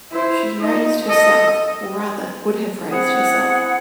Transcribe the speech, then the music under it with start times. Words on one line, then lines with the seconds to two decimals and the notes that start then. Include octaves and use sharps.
She raised herself, or rather would have raised herself.
0.11 E4 C5
0.59 D#4 D#5
1.07 A4 D#5
2.91 C4 E4 G#4 F#5